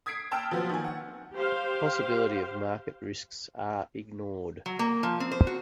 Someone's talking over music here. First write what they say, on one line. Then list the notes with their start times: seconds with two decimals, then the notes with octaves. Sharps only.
The possibility of market risks are ignored.
0.06 D#6 G#6 B6 C7 D7
0.31 G5 A5 E6 F6 D7
0.51 F3 F#3 B3 C4
0.69 D#3 G#5
0.84 F#5
1.35 G4 C5 F5
4.66 F#3
4.79 A#3
5.03 F3
5.20 C4
5.32 C5
5.47 F#4